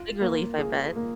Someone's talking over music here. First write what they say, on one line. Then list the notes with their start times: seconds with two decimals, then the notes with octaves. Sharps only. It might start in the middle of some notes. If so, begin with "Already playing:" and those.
big relief, I bet.
Already playing: F4
0.21 A#3
0.59 G#4
0.96 A#3